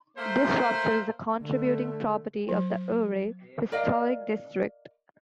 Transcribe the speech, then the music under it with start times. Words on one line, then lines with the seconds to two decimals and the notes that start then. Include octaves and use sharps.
This structure is a contributing property of the Ouray Historic District.
0.17 A3 A#3 C5
1.41 D3 A3
2.49 F#3
3.72 A#4 D5 D#5 F5